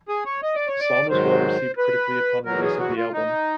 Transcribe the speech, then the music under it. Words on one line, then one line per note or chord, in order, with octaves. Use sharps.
The song was well received critically upon release of the album.
G#4
C#5
D#5
D5
C#5
D5
G#2 D#3 F#3 C5
B4
E2 B2 F#3 A#4
G#4
F#4
F4
D#4